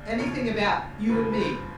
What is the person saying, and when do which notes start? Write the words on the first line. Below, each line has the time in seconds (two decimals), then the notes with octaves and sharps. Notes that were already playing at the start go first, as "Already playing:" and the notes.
"Anything about you and me?"
Already playing: D#2 C#3 D5
0.19 D#2 C#3 F3 C#5
1.09 D#2 C#3 F3 B4
1.32 B4
1.39 C5